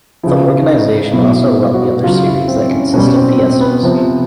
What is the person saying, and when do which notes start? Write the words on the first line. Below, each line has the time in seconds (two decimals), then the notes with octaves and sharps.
The organisation also run the other series that consists of Fiestas.
0.23 C#3 F3 E4
0.69 D#4
1.13 B2 F#3 E4
1.74 F#4
2.03 C#3 F#3 F4
2.26 E4
2.48 C4
2.71 C#4
2.94 B2 G3 C#4
3.16 C4
3.37 C4
3.60 B3
3.83 C3 F3